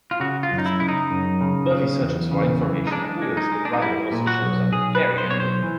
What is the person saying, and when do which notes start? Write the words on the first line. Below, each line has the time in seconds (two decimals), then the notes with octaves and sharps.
Buffy searches for information at Willy's but Riley also shows up, very angry.
0.11 F4
0.20 C#3 F#4
0.43 F4
0.51 F#2
0.58 D#4
0.66 E4
0.80 C#3 E4
0.88 D#4
1.11 F#2
1.41 C#3
1.71 C#3
2.01 E2
2.32 C#3
2.61 E3
2.87 D#4
2.91 G#3 D4
3.22 G#3
3.37 D#4
3.52 G#3
3.65 D4
3.73 D#4
3.82 G3 E4
4.12 A#2
4.27 F#4
4.42 B1
4.72 B1 G#4
4.95 B4
5.03 B1
5.18 C5
5.31 B1 C#5
5.40 C5
5.63 E3